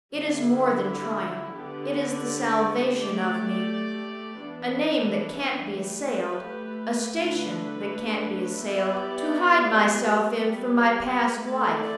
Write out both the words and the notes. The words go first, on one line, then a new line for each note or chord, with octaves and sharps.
It is more than triumph--it is the salvation of me. A name that can't be assailed, a station that can't be assailed, to hide myself in from my past life!
D3 G3 E4
D3 B3 G4 D5
A3 G4 D5
E3 B3 D4
A3 G4 B4
D3 A3 D4 B4
B3 E4 G4 B4 D5
G3 B3 G4 B4
A3 E4 A4 D5